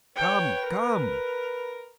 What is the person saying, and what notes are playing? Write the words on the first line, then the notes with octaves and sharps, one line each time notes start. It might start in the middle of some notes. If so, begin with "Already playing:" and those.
"Come, come!"
B4 C#5 G5
A#4